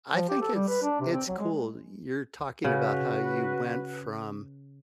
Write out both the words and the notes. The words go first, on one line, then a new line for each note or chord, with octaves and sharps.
I think it's it's cool. You're talking about how you went from
F3
G4
A4
G3
B4
D4
C3
C4
F#3
G#3
C#3 F#4 B4